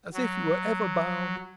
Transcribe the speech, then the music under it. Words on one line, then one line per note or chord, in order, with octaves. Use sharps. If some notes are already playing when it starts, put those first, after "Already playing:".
As if you were ever bound!
F#3